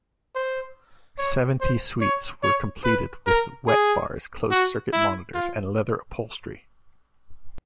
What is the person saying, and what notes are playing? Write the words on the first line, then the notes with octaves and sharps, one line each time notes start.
Seventy suites were completed with wet bars, closed circuit monitors and leather upholstery.
C5
C#5
C5
C#5
C#5
B4
A#4
G#4
F#4
E4
F4